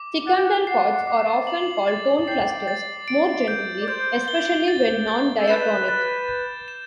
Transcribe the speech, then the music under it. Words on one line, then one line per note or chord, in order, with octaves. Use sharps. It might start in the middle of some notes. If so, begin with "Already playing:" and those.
Secundal chords are often called tone clusters more generally, especially when non-diatonic.
Already playing: D6
F#5 A6
G5
F#5
F#5 C7
D6
F#7
A6
G5 C7
A6
D7
G6
D5
C5 G6
G7
A6
A6
A4
B4 E7
A6
G6
E7